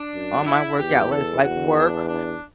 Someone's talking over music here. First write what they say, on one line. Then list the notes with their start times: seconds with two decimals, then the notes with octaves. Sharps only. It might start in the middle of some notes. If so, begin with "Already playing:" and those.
on my workout list, like, Work,
Already playing: D4
0.14 F#2
0.47 E4
0.79 E2 G4
1.11 A4
1.43 E2 F#4
1.76 D4
2.08 D4